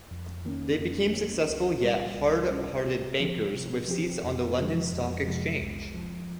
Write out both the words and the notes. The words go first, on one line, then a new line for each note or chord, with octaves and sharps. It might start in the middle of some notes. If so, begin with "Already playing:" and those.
They became successful yet hard-hearted bankers, with seats on the London Stock Exchange.
F2
D#3 A#3 C#4
F2
D#3 A#3 C#4
C#2
C3 G3 C#4
C#2
C3 G3 C#4
C3
F3 C4 G4
C3
F3 C4 G4
F2
C3 F3 G#3
F2
C3 F3 G#3
C2
C3 F3